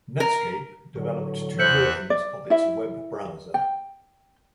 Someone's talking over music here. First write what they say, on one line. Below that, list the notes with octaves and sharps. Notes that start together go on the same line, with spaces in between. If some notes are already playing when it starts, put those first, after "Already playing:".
Netscape developed two versions of its web browser.
A#4
A2 D3 F#3
E2 C5 E5 F#6 G6 C#7 F#7
D5
E4 E5
G5